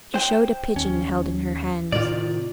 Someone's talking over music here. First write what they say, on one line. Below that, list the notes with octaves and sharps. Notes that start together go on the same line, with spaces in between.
She showed a pigeon held in her hands.
C5 G5
D#2 C#4
A2 C3 D#3 F4 D5